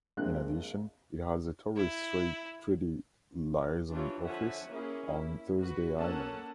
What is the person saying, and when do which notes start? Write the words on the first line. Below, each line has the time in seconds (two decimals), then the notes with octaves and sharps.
In addition, it has a Torres Strait Treaty Liaison Office on Thursday Island.
0.17 A#1 G2 G#3 A#3 C4 F#6
1.76 E4
3.91 E3 D4 F4 G4 C#5
4.24 D3 F3 C#5 E5 F#5 G#5
4.67 A#3 C#4 E4 G#4
5.08 E4
5.60 F#4 B4
5.96 A#3 C#4 A4 F#5 A5